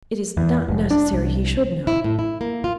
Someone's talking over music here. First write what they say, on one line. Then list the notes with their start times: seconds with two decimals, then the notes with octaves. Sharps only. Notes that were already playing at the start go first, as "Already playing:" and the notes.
It is not necessary he should know.
0.37 E2
0.68 F1
0.91 D4
1.12 C2
1.87 E4
2.04 A2
2.19 E4
2.41 A#3
2.64 F4